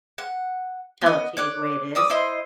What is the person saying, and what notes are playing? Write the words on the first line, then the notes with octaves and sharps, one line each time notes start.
tell it to you the way it is.
F#5
B3 D#5
C#5 D5 F#6
D5 D#6 E6
E4 C5 D#5